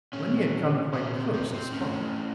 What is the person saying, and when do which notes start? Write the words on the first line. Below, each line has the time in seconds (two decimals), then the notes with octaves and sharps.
When he had come quite close he spoke.
0.13 A#2 C#4
0.93 A#2 C#4
1.13 C4
1.34 C4
1.53 C4
1.73 A2 C#4